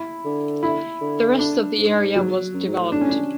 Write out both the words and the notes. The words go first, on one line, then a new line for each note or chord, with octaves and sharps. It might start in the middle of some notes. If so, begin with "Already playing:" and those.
The rest of the area was developed.
Already playing: E4
D3
E4
D3
D4
G#2
F#3
F#2
G#2
A2
A2 D4
C#4
D4